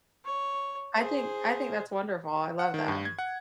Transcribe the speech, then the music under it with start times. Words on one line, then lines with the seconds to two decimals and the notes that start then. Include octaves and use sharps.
I think I think that's wonderful, I love that.
0.25 C#5
0.94 G#4 C5
2.59 F#5
2.74 D#3
2.88 G2
3.05 G#6
3.19 F#5